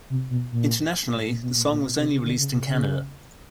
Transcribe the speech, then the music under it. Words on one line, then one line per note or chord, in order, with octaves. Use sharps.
Internationally, the song was only released in Canada.
C3
B2
A#2
A2
A#2
B2
A#2
A#2
B2
C3
C#3
D3
C#3
C3
C#3